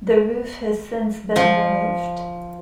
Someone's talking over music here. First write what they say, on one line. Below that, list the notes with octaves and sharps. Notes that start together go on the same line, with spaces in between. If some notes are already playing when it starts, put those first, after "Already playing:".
The roof has since been removed.
F3